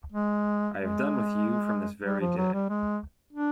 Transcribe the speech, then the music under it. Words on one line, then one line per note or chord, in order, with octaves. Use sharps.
I have done with you from this very day.
G#3
G#3
G3
F3
F#3
G3
G#3
D4